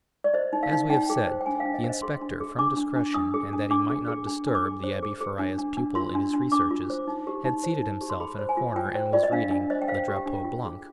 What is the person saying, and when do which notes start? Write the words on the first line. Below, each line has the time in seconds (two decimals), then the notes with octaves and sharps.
As we have said, the inspector, from discretion, and that he might not disturb the Abbe Faria's pupil in his researches, had seated himself in a corner, and was reading Le Drapeau Blanc.
0.24 D5
0.34 C5 D#5
0.53 D#4
0.63 F5
0.72 D#4
0.90 D#4 G5
1.10 G#4
1.27 C5
1.41 G5
1.46 D4 G#5
1.60 F5
1.65 D4
1.74 D#5
1.84 C5 F5
1.89 D#5
2.02 G#4 C6
2.21 D4
2.40 G#4
2.59 D4 D6
2.77 D4
2.96 D4
3.14 D4 D#6
3.34 G#4
3.53 D4
3.71 D4 D6
3.90 G#4
4.08 G#4
4.27 D4
4.47 D4
4.55 D6
4.65 G#4
4.84 C5
5.03 G#4
5.21 G#4
5.39 D4
5.58 D4
5.77 D4
5.95 F4 C6
6.15 D4
6.34 D4
6.52 D4 D6
6.71 F4
6.90 C5
7.08 D#4
7.27 G4
7.45 D#4
7.64 C5
7.82 D#4
8.01 G4
8.10 C6
8.20 G#4 B5
8.39 C5
8.49 G#5
8.57 F4
8.76 F4 G5
8.95 C5
9.13 F4 D5
9.23 D#5
9.32 D4 F5
9.51 D4
9.70 C5 D#5
9.82 G5
9.88 C5 F5
10.08 G4
10.17 G5
10.26 D4
10.45 F4
10.64 G#4